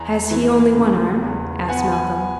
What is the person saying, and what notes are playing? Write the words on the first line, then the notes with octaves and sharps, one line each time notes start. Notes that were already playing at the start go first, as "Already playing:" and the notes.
"Has he only one arm?" asked Malcolm.
Already playing: E2 G#5 A#5
E3
C#3
E2
B3 F#5 G#5
G#5